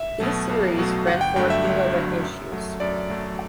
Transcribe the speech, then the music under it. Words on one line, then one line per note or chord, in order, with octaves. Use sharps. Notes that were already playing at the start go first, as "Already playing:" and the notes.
This series ran for eleven issues.
Already playing: E5
B2 F#3 A3
B1
B2 F#3 A3
G1 F#5
G5
G2 F#3 A3 G5
E5
G1
G2 F#3 A3
F#2
F#3 A3
F#2 D5
F#3 A3